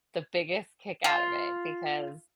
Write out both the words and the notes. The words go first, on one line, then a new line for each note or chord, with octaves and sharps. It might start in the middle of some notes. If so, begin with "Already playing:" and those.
the biggest kick out of it because,
F4